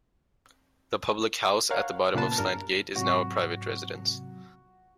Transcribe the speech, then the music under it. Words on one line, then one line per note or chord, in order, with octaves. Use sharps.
The public house, at the bottom of Slant Gate, is now a private residence.
A#4 C#5 F5 F#5
A#2 C#3 A#3 B3 B4 A5
G2 A#4
G#2 C3 F#3 F#4